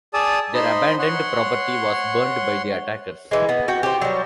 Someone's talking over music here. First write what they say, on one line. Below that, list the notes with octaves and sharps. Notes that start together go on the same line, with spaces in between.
Their abandoned property was burned by the attackers.
G#4 D5 A5 D#6 E6
D#4 C5 D#5 B5 C6
C#5 F#5 C6
E3 G#3
B3
F#4 F#5 G5
G4 C5
F#3 G3